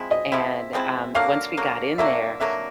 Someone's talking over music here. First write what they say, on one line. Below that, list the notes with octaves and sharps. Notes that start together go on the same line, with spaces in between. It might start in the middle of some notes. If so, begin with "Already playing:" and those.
and, um, once we got in there,
Already playing: F3 G#3 C4 E4
D#5
F3 G#3 C4 E4 E5
F3 G#3 C4 E4
D3 F#3 A#3 F5
D3 F#3 A#3
D3 F#3 A#3 E5
D3 F#3 A#3 E5